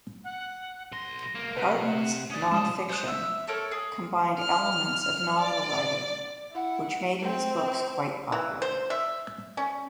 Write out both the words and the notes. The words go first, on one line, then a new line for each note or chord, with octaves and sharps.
Parton's nonfiction combined elements of novel writing, which made his books quite popular.
F#5
B1 C6 A#6
C#2 A#3
C3 B4 F#5 F6 F#6
C#4 D5 D#6
C3 G#3 A5 D#6
C5 D#6 F#6
E5
A4 A#4 C#5
G#4
F6
D5
E4 F#5
C4
E3
C5
E5
C#4